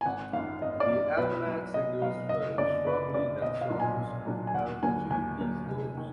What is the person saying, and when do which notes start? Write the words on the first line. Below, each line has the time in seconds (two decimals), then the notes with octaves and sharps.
The Almanac Singers felt strongly that songs could help achieve these goals.
0.01 G#5
0.06 G#1 F#5
0.33 F#2 D#3 F5
0.62 G#1 D#5
0.80 D5
0.90 F#2 D#3
1.17 B1 B4
1.46 B2 F#3 B3
1.74 B1 D#5
2.02 B2 F#3 B3 F5
2.29 F#1 D#5
2.58 F#2 D3 D5
2.85 F#1 B4
3.14 F#2 D3 D5
3.42 B1 D#5
3.61 F5
3.70 A#2 F#3 D4
3.80 G#5
3.98 B1
4.26 A#2 F#3 D4
4.47 G#5
4.54 D#2 F#5
4.83 D3 F#3 A#3 G#5
5.10 D#2 G#5
5.38 D3 F#3 A#3
5.66 F1
5.97 D#3